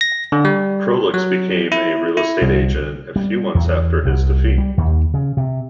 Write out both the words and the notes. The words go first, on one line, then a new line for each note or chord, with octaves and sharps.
Proulx became a real estate agent a few months after his defeat.
A#6
D3
G3
F#3
E4
E4
C2
G3
E2
C2
G3
D#2
C#3
C3